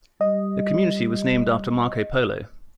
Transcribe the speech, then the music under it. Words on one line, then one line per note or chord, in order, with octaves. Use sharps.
The community was named after Marco Polo.
G3 D#5